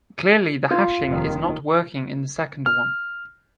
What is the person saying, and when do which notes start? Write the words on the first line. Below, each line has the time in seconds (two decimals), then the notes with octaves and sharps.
Clearly the hashing is not working in the second one.
0.71 F4
1.06 F1 D#2 D#3
2.66 F6